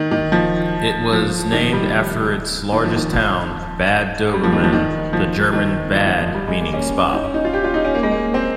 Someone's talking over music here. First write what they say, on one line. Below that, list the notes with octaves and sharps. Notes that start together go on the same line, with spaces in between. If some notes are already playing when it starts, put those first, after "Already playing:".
It was named after its largest town, Bad Doberan, the German "Bad" meaning "spa".
Already playing: D#3
D#3
F3
F3
D#3
F3
G3
D#3
D#3
F3
D#3
F3
G3
F3
D#3
F3
D#3
F3
D#3
F3
D#3
F3
G3
G#3
A#3
C#4
D#4
C#4
D#4
F4
G4
F4
D#4
C#4
A#3
G#3
A#3
C4